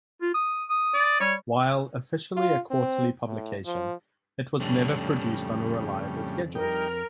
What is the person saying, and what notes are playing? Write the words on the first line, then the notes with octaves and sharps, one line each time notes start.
While officially a quarterly publication, it was never produced on a reliable schedule.
F4
D#6
D#6
D5
G3 C#5
F4
C4
A2
F3
F2 A2 C#3 G3 D4
G3 D#4 A#4 G5